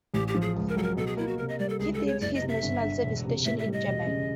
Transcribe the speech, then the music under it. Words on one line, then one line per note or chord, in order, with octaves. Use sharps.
He did his National Service stationed in Germany.
A1 G4
G4
F3
G#4
C#2
A#4
F#3 A4
A#4
B2 A4
G#4
A#3 E4
F#4
C3 A#4
D#5
G3 D5
A4
C#2 G#4
A4
G#3
C#5
F#1 D5
D#5
C3
E5
G1
D3
E1
C3
A2 E5
E5
G3
D#5
E1
C#3